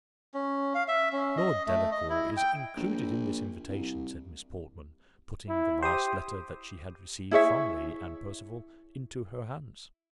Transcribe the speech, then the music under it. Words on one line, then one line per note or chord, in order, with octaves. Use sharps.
"Lord Delacour is included in this invitation," said Miss Portman, putting the last letter that she had received from Lady Anne Percival into her hands.
C#4
F5
E5
C#4
D#5
A3
D#5
E4
G5
A#1
C2
E4
G4 C5 D#6
E4 G#4 C#5 E5